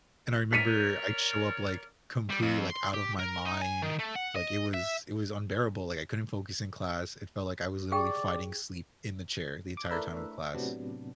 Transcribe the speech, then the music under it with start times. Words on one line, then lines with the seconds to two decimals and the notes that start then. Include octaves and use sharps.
and I remember, I'd show up, like, completely, like, out of my mind, like, it was it was unbearable, like, I couldn't focus in class, it felt like I was literally fighting sleep in the chair the entire time of class.
0.53 A#4 C#5 D5 B6 C#7 D#7
2.30 G3
2.43 F2
2.70 C6
2.94 G4
3.19 A#4
3.45 D#4
3.61 G#5
3.82 D#3
3.99 A3
4.16 F#5
4.36 D#5
4.74 E5
7.92 G4 G#4 D5 G5
9.77 D6
9.90 A3 D4 E4 A#4 B4 E5
10.54 A2 C3 F#3 B3 D4